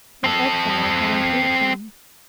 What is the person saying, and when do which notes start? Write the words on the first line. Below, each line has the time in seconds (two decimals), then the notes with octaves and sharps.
His exile had improved him.
0.24 C4 A4